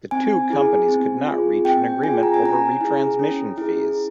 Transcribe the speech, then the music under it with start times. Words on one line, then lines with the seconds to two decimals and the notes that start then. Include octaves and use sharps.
The two companies could not reach an agreement over retransmission fees.
0.11 C4 G#5
0.50 E4 G#4
0.88 C4
1.27 F4 G#4
1.65 C4 G5
2.03 F4 G#4 G#5
2.23 A#5
2.34 G#5
2.42 C#4 A#5
2.81 E4 G#4
3.19 C#4
3.58 E4 G#4